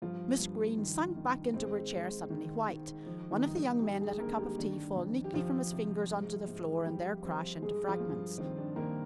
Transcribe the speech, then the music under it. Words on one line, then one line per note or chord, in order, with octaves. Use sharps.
Miss Greene sank back into her chair, suddenly white. One of the young men let a cup of tea fall neatly from his fingers on to the floor and there crash into fragments.
G2 F3 F4
G2
D#3
D#3
G#2 C4
G#2
D#3
D#3
F3
D#3 D#4
G2
D#3 D#4
G2 G3 G4
G#3 G#4
D3 A#3 A#4
G3 G4
D#3 D4
F2
G4
F2 F3 F4
C3
G#2
G#2
F3 G3 G4
F3 C4 C5
G2 G#3 G#4
F3 F4
G2
D#3 C4
D4
D#3 A#3 A#4